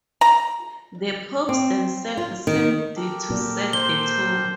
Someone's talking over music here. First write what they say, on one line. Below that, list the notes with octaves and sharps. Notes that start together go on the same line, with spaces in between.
The popes themselves seemed to set the tone.
A#5
C4
F4
D#3
G4 A4 A#4
A#2
C5 G7